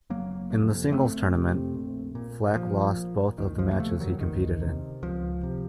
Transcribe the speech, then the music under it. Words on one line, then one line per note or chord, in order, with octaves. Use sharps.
In the singles tournament, Flack lost both of the matches he competed in.
F#1 F#3 A#3
F2 C3
F#1 A3 C4
F2 C3
A#1
A#2
A#1 F3
A#2
C#2 D#3
F3
A#3
C3 F3 A3
D#3 F#3
C#2 D#3
C3
C#2 F3
C3